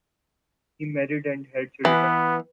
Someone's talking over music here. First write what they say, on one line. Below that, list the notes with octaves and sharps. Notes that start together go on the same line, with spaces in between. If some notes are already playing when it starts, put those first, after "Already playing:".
He married and had children.
E3 B3